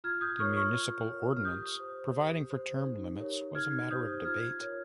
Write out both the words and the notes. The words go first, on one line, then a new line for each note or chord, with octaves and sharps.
The municipal ordinance providing for term limits was a matter of debate.
F4 F6 G#6
D#6 G6
A#4 C#5 C#6 F6
C#6 F6
F4
A#4 C#5
F6
G4 D#6 G6
C5
G4
C5
D#4
G4 A#4 C#5
D#4 F6 G#6
G4 C5 D#6 G6
F4 F6 G#6
A#4 C#5